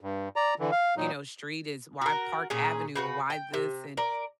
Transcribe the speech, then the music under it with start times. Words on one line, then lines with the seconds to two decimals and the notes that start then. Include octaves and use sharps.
you know, street is why Park Avenue, or why this?" and,
0.01 G2
0.36 D5 A#5
0.59 D3 E3
0.72 F5
0.97 A#2 F#3 D#4
2.02 F#4 A#4
2.50 A#2 C#4 G#4
2.95 C#3 F#4 B4
3.30 G5
3.54 C3
3.97 A#4 D5